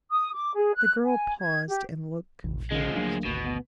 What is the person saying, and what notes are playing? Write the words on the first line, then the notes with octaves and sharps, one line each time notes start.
The girl paused, and looked confused.
D#6
D6
G#4
F#6
G#5
G#6
G4
F1 A#1
C#3 F3 G#3
D2 F#3 A#3 D4
G#1 D2 B2
B3